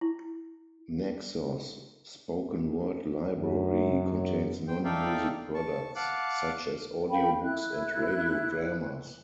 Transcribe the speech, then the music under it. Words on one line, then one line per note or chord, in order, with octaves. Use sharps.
Naxos Spoken Word Library contains non-music products, such as audiobooks and radio dramas.
E4
F#2
C5 G5
D#4 A4 D5 E5 F5 G5
A5 C#6
F5 F#5 A5 D6 F#6
A#4 F5 G5 B5
E4 F#6